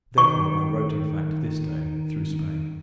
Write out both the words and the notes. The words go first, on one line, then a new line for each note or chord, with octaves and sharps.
Therefore, I wrote, in fact, this Day, through Spain.
D#3 C#6